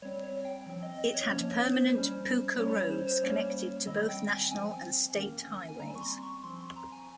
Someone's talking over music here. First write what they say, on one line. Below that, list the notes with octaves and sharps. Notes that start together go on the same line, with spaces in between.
It had permanent pucca roads connected to both national and state highways.
G3 C4 C#5
C#5
G5
F3 C4
D#5
D#5
C#5
F3 A#3 C#4 C#5
C#5
C5
G3 C#4
G3 C#4 C#5
C#5
C5
C5
G3 A#3 C#4 C#5
D#3 G3 C4 D#5
G5
G#5
F3 C4 G#5
D#3 A#3 C#4
G#5
G3 C4 A#5
C#6
C6
C#6
F3 C4 C6
C6
A#5
G#5